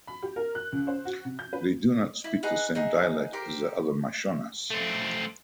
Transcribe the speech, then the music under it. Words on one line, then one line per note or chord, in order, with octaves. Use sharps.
"They do not speak the same dialect as the other Mashonas".
B5
G4
A#4
F#6
C#2
C5
F#4
C3
G6
B4
E4
D#4 G#4 B4 F#5
D#4 G#4 E5 F#5
G4 A#4 C5 C6
A3 C4